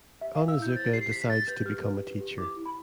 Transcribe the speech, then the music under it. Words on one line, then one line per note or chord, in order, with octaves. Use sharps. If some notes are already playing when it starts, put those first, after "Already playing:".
Onizuka decides to become a teacher.
G4 E5
F5
E4
E6
E4 G6
C5 A6
G4 C7
G4 B6
B6
G4 A6
B4 G6
G4 F6
B4
G4
G4
E4 D6
E4
B5